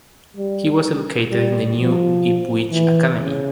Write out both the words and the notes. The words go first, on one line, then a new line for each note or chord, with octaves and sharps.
He was educated in the New Ipswich Academy.
G3
G3
F3
E3
C#3